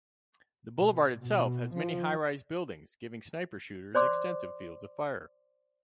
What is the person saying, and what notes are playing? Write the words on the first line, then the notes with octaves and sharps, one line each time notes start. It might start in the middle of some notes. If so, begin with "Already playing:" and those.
The boulevard itself has many high-rise buildings giving sniper shooters extensive fields of fire.
B2
B2
F3
C5 D5 C6 D6